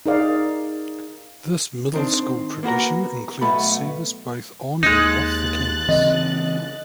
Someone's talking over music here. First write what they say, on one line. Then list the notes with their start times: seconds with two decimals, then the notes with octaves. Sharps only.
This Middle School tradition includes service both on and off the campus.
0.06 D#4 G#4 A#4 D5 F5
1.94 D#3 C4 D4
2.63 A#3 B3 F#4 A#4
3.41 B1 A3 B3 A4 B5
4.83 D#2 G#3 D#4 F#6 A6
5.88 C#3 E3 C4 D#5